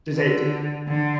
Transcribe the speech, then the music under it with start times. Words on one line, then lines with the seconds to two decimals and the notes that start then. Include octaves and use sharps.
Does it do
0.15 D3
0.87 D3